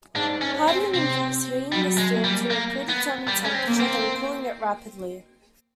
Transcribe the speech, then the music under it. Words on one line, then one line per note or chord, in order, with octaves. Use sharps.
Hardening involves heating the steel to a predetermined temperature, then cooling it rapidly.
G#2 D4
C#4
C4
C3 C4
F#3 G3
G#3
A#3
G3
A#3
B3
G3
C#4
C4
A#3
C4